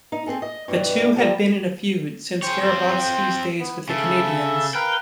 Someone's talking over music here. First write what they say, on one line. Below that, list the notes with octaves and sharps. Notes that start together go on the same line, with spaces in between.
The two had been in a feud since Grabovski's days with the Canadiens.
D#4
C4 G#4 A4
D#5
G2 B2 E3 G3
F3 G3 A#3 B3 G4 A4
G#4 C5 C#5 G5
C4 F4
B3
C#3 A4 E5 A5
A#4 B4 F5 G5